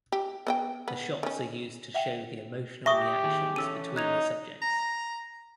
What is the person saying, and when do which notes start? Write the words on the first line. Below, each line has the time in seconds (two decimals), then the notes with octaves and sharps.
The shots are also used to show the emotional reactions between the subjects.
0.12 G4
0.47 B3 D#5 G5
0.88 B3
1.23 D#3 C#4
1.94 E5 F#5 G5
2.86 G4 E5 C#6 D#6 A#6
3.24 D#3 B3 G#4
3.56 E3 C#4 A4 D6 E6 D#7
3.96 D#4 F#6 G#6 F7
4.62 A#5